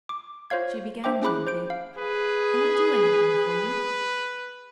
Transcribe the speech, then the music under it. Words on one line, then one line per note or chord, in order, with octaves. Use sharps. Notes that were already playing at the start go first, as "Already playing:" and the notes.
She began gently, "Can I do anything for you?"
D6
F4 C5 C#5 F5 G#6
D4 C5 E5 G5 D6
C#4 E4 G#4 B5 D6 F#6
C5 G6 D7
F5
G#4 B4